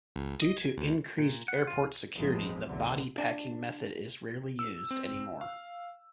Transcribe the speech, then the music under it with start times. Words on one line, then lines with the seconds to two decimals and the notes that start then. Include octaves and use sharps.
Due to increased airport security the "body packing" method is rarely used any more.
0.16 C#2
0.42 D#5
0.57 G#6
0.77 D2
1.18 A#2
1.48 F#5
1.67 F4
2.15 G#1 E2 A2 F3 G#3 C4
2.66 B1 E2 A2 D3 F#3
3.18 D4
4.59 E6
4.91 C4
5.41 F5